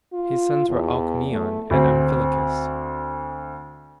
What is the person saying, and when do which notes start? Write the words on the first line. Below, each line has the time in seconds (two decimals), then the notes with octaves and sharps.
His sons were Alcmaeon and Amphilochus.
0.13 F4
0.70 E2
1.31 A3
1.71 D2 C4